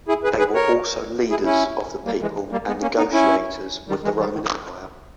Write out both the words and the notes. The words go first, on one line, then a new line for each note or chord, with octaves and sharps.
They were also leaders of the people and negotiators with the Roman Empire.
E4 G#4
G#4 B4
G#4 B4
A#4 C#5
E4 G#4
C#4 E4
G3 A#3
E3 G#3
G3 A#3
G#3 B3
A#3 C#4
B3 D#4
C#4 E4
D#3 G3
E3 G#3
D#3 G3
D#3